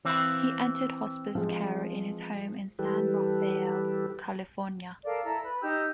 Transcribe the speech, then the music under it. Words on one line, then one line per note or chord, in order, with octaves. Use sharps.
He entered hospice care in his home in San Rafael, California.
E3 C4 E5 F5 B5
F3 G#3
E3 G3 G4 A4 B4
A4 A#4 D5 F5
E4 A4 A#5
B4
D#4 G4 E6 G6